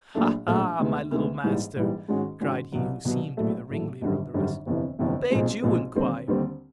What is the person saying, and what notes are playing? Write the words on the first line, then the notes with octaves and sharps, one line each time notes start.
"Ha, ha! my little master," cried he who seemed to be the ringleader of the rest, "who bade you inquire?"
A#1 A#2 F#3 A3 D4
A#1 A#2 F#3 A3 D4
D2 C3 D#3 G#3 B3
D2 C3 D#3 G#3 B3
A#1 G#2 E3 G3
A#1 G#2 E3 G3
G#2 D#3 G#3 C#4 F#4
G#2 D#3 G#3 C#4 F#4
C2 B2 F#3
C2 B2 F#3
A#1 A2 F#3 A3
A#1 A2 F#3 A3
G#1 F#2 D3 G3
G#1 F#2 D3 G3
G1 F2 C3 E3
G1 F2 C3 E3
B1 A#2 F3 G#3 C4
B1 A#2 F3 G#3 C4
D#2 D3 G3 C4
D#2 D3 G3 C4